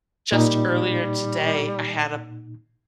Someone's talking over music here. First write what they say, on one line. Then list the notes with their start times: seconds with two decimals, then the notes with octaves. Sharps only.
just earlier today, I had a
0.32 A#2 G3 D#4